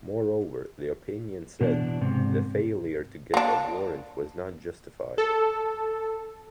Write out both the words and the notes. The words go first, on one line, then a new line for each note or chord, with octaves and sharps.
Moreover, the opinion said, the failure to get a warrant was not justified.
B2 E3 D4
G#2 C3
A#3 D4
A4